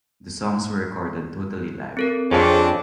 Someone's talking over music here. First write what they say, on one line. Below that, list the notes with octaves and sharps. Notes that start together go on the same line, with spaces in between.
The songs were recorded totally live.
C4 A4 A#4
F2 C#3 C4 D4 C5